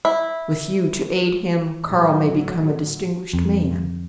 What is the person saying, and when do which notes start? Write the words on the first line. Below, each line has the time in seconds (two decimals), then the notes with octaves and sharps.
With you to aid him, Karl may become a distinguished man.
0.05 E4
1.86 A2 F#3
3.33 F2